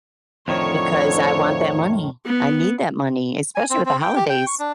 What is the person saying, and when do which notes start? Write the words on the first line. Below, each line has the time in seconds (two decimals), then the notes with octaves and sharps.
Because I want that money. I need that money, especially with the holidays.
0.48 F2 A2 D3 D#3 F3 C#5
2.26 B3
3.55 G#5
3.70 C4
3.86 C4
4.02 G5
4.16 G4
4.29 G5
4.47 C#6
4.59 D4